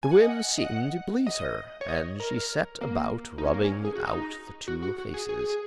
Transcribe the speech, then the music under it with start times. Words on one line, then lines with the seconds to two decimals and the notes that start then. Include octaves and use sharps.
The whim seemed to please her and she set about rubbing out the two faces.
0.03 G#5
0.11 F#5
0.20 D#5
0.29 F#5
0.58 D#5
0.65 F#5
1.27 D#5
1.81 C#5
1.88 D#5
2.20 A#4
2.81 A#3
3.38 D#4
3.44 C#4
3.54 A#3
3.64 C#4
3.85 G#4
3.95 F#4
4.06 D#4
4.68 F#4
4.82 F#4
4.98 F#4
5.14 G#4
5.29 G#4
5.39 G#4
5.50 G#4